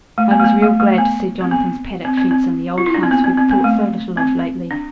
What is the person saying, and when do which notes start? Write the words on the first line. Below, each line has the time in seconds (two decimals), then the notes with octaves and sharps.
I was real glad to see Jonathan's paddock fence and the old house we'd thought so little of lately.
0.18 A3
0.31 B3
0.40 A3
0.44 B3
0.62 A3
0.80 A3
0.98 B3
1.41 C4
1.51 B3
2.05 C4
2.18 C4
2.31 C4
2.78 F4
2.86 E4
2.94 D4
3.03 C4
3.11 B3
3.24 C4
3.37 C4
3.51 B3
3.64 A3
4.17 C4
4.71 D4